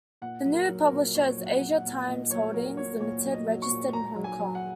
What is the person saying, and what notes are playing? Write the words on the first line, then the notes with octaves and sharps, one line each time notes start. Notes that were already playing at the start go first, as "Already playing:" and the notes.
The new publisher is Asia Times Holdings Limited, registered in Hong Kong.
A#2 F#5
F#3
A#4
F#3
A#4
A#2
A#2 C#5
F#3
F#5
F#3
F#5
A#2
A#2 D#5
F#3 C#5
F#3 A#4
A#2 C#5
A#2 C#5
F#3
D#5
F#3
C#6
A#2
A#2 A#5
F#3
G#5
F#3
F#5